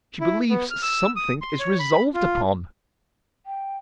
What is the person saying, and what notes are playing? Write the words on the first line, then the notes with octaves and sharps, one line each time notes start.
She believes something is resolved upon.
E4
B3
F6
E6
D#6
C6
C#5
B5
F4
G5